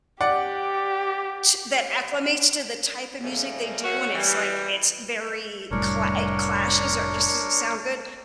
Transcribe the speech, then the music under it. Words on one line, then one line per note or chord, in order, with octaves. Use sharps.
to that acclimates to the type of music they do, and it's, like, it's very cla it clashes or just doesn't sound good,
G4 D5 F#5
G#2 C#3 F3 G3 A3 A#3
A3 C#4 F#4
E3 G3
F1 A2 G3 D4 A#4 C#5